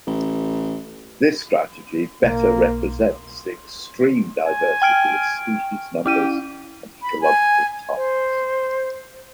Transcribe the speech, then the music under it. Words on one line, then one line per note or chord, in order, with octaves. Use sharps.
This strategy better represents the extreme diversity of species numbers and ecological types.
A1
B1 A#3
G#5
G5 F6 D7
C#4 E4 G4 D#7
B5
G#5
C5